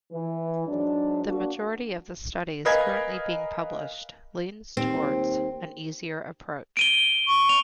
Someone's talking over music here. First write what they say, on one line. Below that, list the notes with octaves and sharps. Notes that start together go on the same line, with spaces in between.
The majority of the studies currently being published leans towards an easier approach.
E3
G#2 F#3 D4
A#3 D4 F#4
A#4 B4 D#5 F5 G#5 G#6
D#2 C4
D7 D#7 G7
C#6
F7